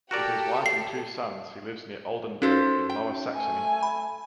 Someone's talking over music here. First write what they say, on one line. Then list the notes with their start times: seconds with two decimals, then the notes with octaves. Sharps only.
With his wife and two sons he lives near Oldenburg in Lower Saxony.
0.11 F#4 G4 A4 A#4 D5
0.66 C7
2.42 C#4 D#4 F4 F#4 A4 C5
2.90 G5
3.34 A3 G#5
3.83 B5